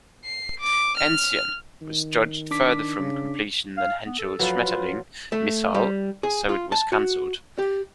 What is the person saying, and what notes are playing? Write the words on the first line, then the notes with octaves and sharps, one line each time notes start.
"Enzian" was judged further from completion than Henschel's "Schmetterling" missile, so it was cancelled.
C7
D6
F6
D#3
D4 D6 B6
C#3
F5
B3
A4
F3 F#3 B4
F4
A3
G3
G#4
F4
A5
F#4
G4